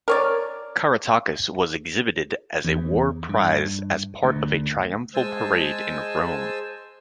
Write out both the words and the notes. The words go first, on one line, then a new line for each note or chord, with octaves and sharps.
Caratacus was exhibited as a war-prize as part of a triumphal parade in Rome.
A#4 C#5 D5
E2
G2
D2
G#3 C5 G#5 A5 E6